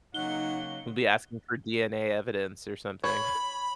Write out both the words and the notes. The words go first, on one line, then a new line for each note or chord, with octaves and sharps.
He'll be asking for DNA evidence or something.
C#3 F#3 A#3 D#4 F#5 G7
C#5 B5